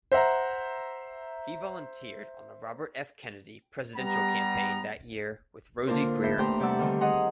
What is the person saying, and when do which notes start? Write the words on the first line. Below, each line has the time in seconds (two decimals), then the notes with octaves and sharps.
He volunteered on the Robert F. Kennedy presidential campaign that year with Rosie Grier.
0.12 C5 E5 F#5 A#5
3.97 G3 B3 A#5
5.87 D3 A#3 D4 F4 A#4 C5
6.23 A2 E5 G6
6.37 E2 A3 G4 G5 A#5 C6
6.60 C3 G3 D5 F#5 E6
6.79 D3 D#3 G3 C4 D4
7.00 G#4 D#5 F#5 A#5 C6